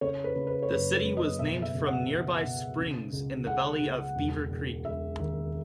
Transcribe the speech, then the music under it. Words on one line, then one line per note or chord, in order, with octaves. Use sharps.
The city was named from nearby springs in the valley of Beaver Creek.
C#3 C#5
B4
C#3
B4
C#5
F#1 B4
B4
F#1
D#5
B2 E5
E5
C#2
F#5
B2
B2
C#3
C#2
C#2 F#5
C#2
E1
E1
E1 E5
D#2